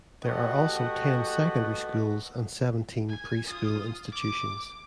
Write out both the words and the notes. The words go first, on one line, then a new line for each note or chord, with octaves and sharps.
There are also ten secondary schools and seventeen pre-school institutions.
A3 F#4 G4 B4 D#5 F#5
G#5
F4 D#6
D6